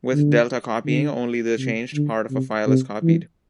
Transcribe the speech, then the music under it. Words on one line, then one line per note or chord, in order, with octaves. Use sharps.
With delta copying, only the changed part of a file is copied.
D3
D3
C3
D3
C3
C3
E3